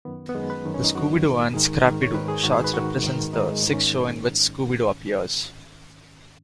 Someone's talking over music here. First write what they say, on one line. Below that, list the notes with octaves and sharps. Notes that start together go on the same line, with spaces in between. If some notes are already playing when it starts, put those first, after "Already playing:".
The "Scooby-Doo and Scrappy-Doo" shorts represents the sixth show in which Scooby-Doo appears.
F#2 D#3 B3
B3
F#2 D#3 G#3
B4
F#2 D#3
C#4
D#4
F#2 D#3 F#4
D#3
G#2
G#2 D#3 G#4
G#2 D#3
C#5
G#2 D#3 B4
G#4
G#2 D#3 F#4
G#4
B4
G#2 D#3 F#4
G#2 D#3
G#2 D#3 D#4
G#3
G#2 D#3
C#4